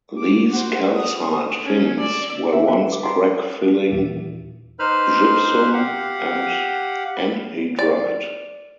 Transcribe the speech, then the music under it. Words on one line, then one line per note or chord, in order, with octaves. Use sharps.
These calcite fins were once crack filling gypsum and anhydrite.
D6
F#4 C5
D#6
C#4
D5 E6
E5
B4
D6
C6
D#2 A#2 E3
D#4 B4 C5 B5 F6
G4 F5 F#5
B5
D5